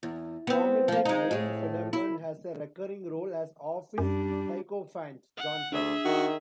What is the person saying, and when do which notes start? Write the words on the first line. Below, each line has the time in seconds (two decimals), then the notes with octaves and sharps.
Comedian Wayne Federman has a recurring role as office sycophant, Johnson.
0.03 E2
0.47 B3 C4
0.88 F3 A#3
1.05 G#3 D#4
1.31 A2 G#4
1.93 E4
3.98 F#2 G3 D4
5.37 F#5
5.72 D2 D4 G#4 E5
6.05 D#3 F#4